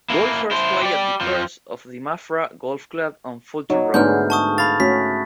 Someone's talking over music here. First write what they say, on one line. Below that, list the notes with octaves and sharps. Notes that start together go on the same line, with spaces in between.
Golfers play at the course of the Maffra Golf Club on Fulton Road.
A#3 E4
E4 C5
G4 D5
F2 F3
F#3 D#4 F#4
G#2 D3 A3 B3 G#4 F6 G6
A5 C#6 D#6
F5 B5 A6
A3 C#4 F#4 B6